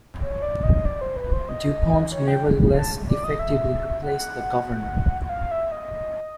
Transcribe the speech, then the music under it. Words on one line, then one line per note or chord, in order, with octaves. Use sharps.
Dupont nevertheless effectively replaced the Governor.
C#5
D5
D#5
D5
C5
B4
C5
D#5
C#5
G5
A5
D5
D#5
E5
F#5
F#5
F5
E5
D#5